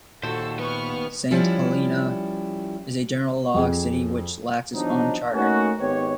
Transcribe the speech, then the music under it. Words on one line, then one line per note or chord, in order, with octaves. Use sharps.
Saint Helena is a general law city which lacks its own charter.
D#2 A#2 F#4 A4 C5 E6
B3 B4 C#6 F6
F3 G3 C#4 E4
F2 G#4
E2 F3 F#3 D4 D#4
A3 A#3 C#4 D#4 F#4
G#1 B3 G4 C#5